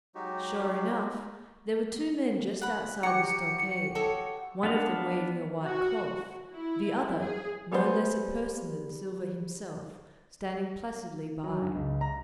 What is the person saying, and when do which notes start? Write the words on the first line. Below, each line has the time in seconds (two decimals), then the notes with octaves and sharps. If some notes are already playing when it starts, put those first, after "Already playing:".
SURE enough, there were two men just outside the stockade, one of them waving a white cloth, the other, no less a person than Silver himself, standing placidly by.
0.15 F#3 G#3 D#4 F#4 G4
2.61 F#5 B5
3.03 F#4 G4 A#5 C#7
3.95 A4 C#5 D#5
4.63 B3 D4 F5
5.64 F#4
6.53 E4
7.19 G#4
7.72 G3 G#3 B3 F#4 C5
11.44 F#3
11.61 G2
11.75 C#2
12.01 A#5